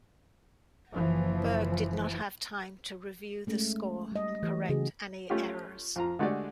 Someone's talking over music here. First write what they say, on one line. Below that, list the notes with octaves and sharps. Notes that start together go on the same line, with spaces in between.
Berg did not have time to review the score and correct any errors.
F#1 E3 F3
G#3 A3 C#4
G3 D#5
E3 A3 G4
C#3 F#4 G#4
A3 C#4 F4 G4
F2 F4 A#5
D3 G#3 A3 F#4 G4 D5